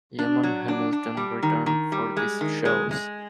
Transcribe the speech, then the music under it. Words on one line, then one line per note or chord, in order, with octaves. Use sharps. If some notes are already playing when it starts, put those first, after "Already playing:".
Eamon Hamilton returned for these shows.
D4
F#3
D4
D4
G3
D#3
D#3
G3
G#3
D#3
G#3
G#3